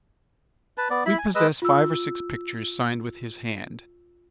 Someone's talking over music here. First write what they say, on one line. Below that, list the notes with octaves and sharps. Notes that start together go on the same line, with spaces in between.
We possess five or six pictures signed with his hand.
B4 A5
B3 D5
E4 B5
G#5
G#3 B4 D#5 E6
F4 E6